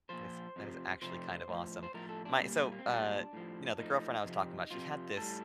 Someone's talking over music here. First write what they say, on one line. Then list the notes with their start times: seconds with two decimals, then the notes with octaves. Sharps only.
That is that is actually kind of awesome. My so, uh, you know, the girlfriend I was talking about, she had this
0.09 A#2 F3 C5
0.56 F2 C3 F3
1.02 F2 C3 F3 C5
1.48 A2 F3
1.83 C5
1.94 A2 F3 A#4
2.09 A4
2.25 D4
2.38 A#2 G3 C4
2.51 A#3
2.64 C4
2.72 A#3
2.79 C4
2.86 A#2 G3 D4
3.33 A2 F3
3.79 A2 F3 D#4
4.24 F2 C3 F3
4.71 F2 C3 F3 F4
5.17 A2 G3 A4